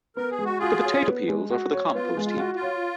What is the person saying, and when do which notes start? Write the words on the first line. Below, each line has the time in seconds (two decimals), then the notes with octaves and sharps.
The potato peels are for the compost heap.
0.16 B3 A#4
0.30 G#4
0.38 G#3
0.44 F#4
0.58 F4 F#4 G#4
0.84 C#5
1.06 B3
1.28 G#3
1.51 F#4
1.73 C#5
1.94 B3 F4
2.17 G#3
2.25 F4
2.40 F#4
2.55 F4
2.62 C#5